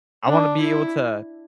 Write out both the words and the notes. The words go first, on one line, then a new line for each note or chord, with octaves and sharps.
I wanna be able to
D4
E4